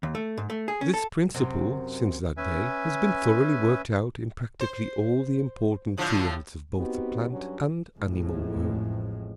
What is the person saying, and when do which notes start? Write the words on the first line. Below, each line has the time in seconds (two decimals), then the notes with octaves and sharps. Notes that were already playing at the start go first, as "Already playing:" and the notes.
This principle, since that day, has been thoroughly worked out in practically all the important fields of both the plant and animal world.
0.03 D#2
0.15 A3
0.38 G#2
0.50 A3
0.68 G#4
0.81 C#4
0.94 A4
1.34 F#2 C3
2.37 C#4 B4 E5 G#5
4.61 C5
5.98 A2 D3 F3
6.77 B3 C4 D#4 F#4 G4
7.30 G2 F#3 C#4 F#4
7.96 A1 F2 A2 G#3